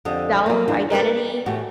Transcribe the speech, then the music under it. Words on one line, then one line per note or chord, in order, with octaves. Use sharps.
self, identity,
F2 D3 G4 D#5
F#3 A#3
E2 E3 D4 F4
A#4 B4 C#5 D5
A2 E3 F#4 G4